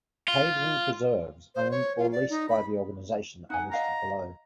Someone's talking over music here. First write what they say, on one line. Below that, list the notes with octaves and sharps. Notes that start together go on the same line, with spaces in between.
Caves and preserves owned or leased by the organization are listed below.
F4
C5
C#5
F4
D5
D#4
B5
D#4 F#5 G#5
D#5 F5 F#5 A#5